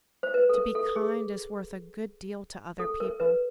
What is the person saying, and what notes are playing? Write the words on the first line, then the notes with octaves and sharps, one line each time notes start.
To be kind is worth a good deal to other people.
C5
B4
A4
A#4
A4
G#4
A4
A#4
B4